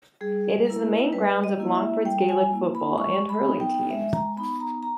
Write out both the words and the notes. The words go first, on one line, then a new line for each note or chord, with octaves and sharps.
It is the main grounds of Longford's Gaelic football and hurling teams.
G3 G#4
A#3 E4 A#4
G3 B4
D#5
A#3 E4
E5
G3 G5
G#5
A#3 E4
B5
G#3 C#6
B5
B3 D#4
G5
G#3 E5
A#5
B3 D#4 B5
A#5
A#5